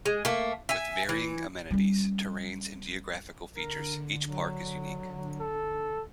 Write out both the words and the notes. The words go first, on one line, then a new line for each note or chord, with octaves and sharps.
With varying amenities, terrains and geographical features, each park is unique.
G#3
A3 A#3
E5 G#5
E3
G3 C#4
D3 A#4
F#3
A4